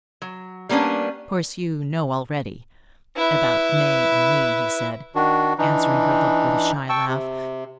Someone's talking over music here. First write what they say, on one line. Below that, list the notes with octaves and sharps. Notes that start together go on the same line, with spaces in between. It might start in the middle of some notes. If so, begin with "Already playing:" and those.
"Of course you know already--about May and me," he said, answering her look with a shy laugh.
F#3
G3 A#3 B3 C#4 D4
E4 B4
D#3 D4 F#4
E3 D4 D#4
G5 A5 C#6 E6
C3